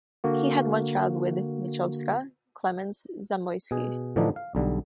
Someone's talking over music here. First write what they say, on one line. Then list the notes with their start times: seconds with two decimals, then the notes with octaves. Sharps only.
He had one child with Michowska, Klemens Zamoyski.
0.24 D3 A#3 F#4
3.71 B2 G#4
4.16 A2 D3 E3 F3 D4 D#4
4.36 F5
4.55 B1 D3 G3